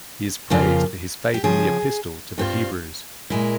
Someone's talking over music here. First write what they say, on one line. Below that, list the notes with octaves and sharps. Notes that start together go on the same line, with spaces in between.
He is praised for his faith in the Epistle to the Hebrews.
F2 C#3 F3 A#3 F4
G4
C#3 F3 C4 G#4
G2 G3 C4 F4
A#2 G#3 E4 A#4